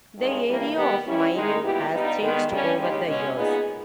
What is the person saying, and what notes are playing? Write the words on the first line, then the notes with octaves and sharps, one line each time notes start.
The area of mining has changed over the years.
G2 D#3 G#3 C#4
G2 E3 G3 A#3
D#3 G3 B3 G4
G#2 G3 C#4 E4 G4
D#3 G#3 D#4
A#2 G3 B3 E4 G4
G2 G3 B3 D#4
D#3 G#3 B3
G2 G3 C#4
D#2 C#3 G#3 D#4 G4
B2 G#3 C#4
A#2 G#3 B3 D#4 G#4